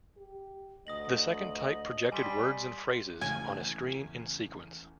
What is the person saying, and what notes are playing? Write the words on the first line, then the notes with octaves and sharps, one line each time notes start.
The second type projected words and phrases on a screen in sequence.
G4
D2 D#5 D#6 A#6 F#7
G3 G#5 C6 B6
E2 C#3 A3 G#5